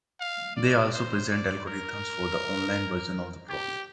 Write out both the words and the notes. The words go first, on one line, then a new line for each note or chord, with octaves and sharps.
They also present algorithms for the "online" version of the problem.
F5
D5
C5
D5
A#4
G4